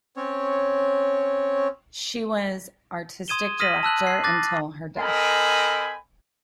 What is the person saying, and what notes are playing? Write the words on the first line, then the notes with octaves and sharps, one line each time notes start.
She was artistic director until her death.
C4 C#4 C#5
C6 D#6 G#6 D#7 E7 G7
D#6 F6 A#6 B6 D#7 F#7
A5 E6 F#6 F#7
C7
D6 F#6 A6 A#6
C4 A4 A#4 D#5 G#5 B5